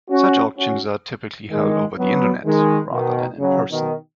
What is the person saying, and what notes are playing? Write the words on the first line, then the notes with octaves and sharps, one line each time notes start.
Such auctions are typically held over the Internet, rather than in person.
C#4 F#4
C#4 F#4
D#3 G#3
F#3 B3
D#3 G#3
B2 D#3
C#3 F#3
B2 D#3